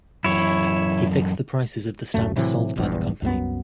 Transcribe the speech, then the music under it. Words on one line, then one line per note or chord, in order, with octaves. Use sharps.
He fixed the prices of the stamps sold by the company.
F#2 E3 E4 C#5
D1 F#2 A3
A2 C3 E3 F#3
E1 A#1 E2 G2
C2 F#2 G#3 B3